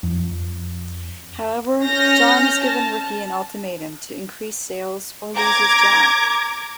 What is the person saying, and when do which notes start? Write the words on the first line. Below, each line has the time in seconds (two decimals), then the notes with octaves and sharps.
However, John has given Ricky an ultimatum to increase sales, or lose his job.
0.03 F2
1.84 C#4 F6 G6 A#6
2.59 A5
5.36 A#5 D6 G#6